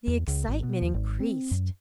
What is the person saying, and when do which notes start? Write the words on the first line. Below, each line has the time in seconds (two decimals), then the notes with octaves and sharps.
The excitement increased.
0.07 E2
0.27 C#2
0.48 G#1
0.63 B2
0.82 D#2
0.94 G#1
1.20 C4
1.51 F#2